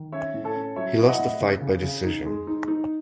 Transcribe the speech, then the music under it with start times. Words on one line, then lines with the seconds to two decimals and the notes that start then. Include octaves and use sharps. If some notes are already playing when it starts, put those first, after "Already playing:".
He lost the fight by decision.
Already playing: D#3
0.12 C#4 C#5 E5
0.34 A2
0.44 A4 C#5
0.55 C#4
0.76 F#3 C#5 E5
0.98 E4
1.08 D#5 F#5
1.19 A2
1.40 C#3
1.61 C#3
1.83 C#3
2.04 D#4
2.26 G#3
2.47 D#4
2.68 D#4